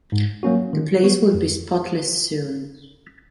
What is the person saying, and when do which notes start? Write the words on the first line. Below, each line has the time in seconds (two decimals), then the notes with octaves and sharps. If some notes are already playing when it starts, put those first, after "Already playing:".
The place would be spotless soon.
0.12 G#2
0.43 F#3 A#3 C#4 F#4
0.73 D#3
1.03 F#3 B3 F#4
1.34 F2